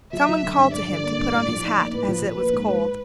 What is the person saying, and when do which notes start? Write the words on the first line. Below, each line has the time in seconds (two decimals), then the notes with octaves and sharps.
Some one called to him to put on his hat as it was cold.
0.13 F#3 E5
0.29 F#3
0.44 D3
0.57 G2
0.73 G2 D5
0.88 D3
1.03 A#3
1.18 G2
1.32 A2
1.48 F3
1.63 D#4
1.77 A#3
1.93 A2 B4
2.08 F3
2.22 F3
2.38 A#3
2.53 G#2
2.68 G#2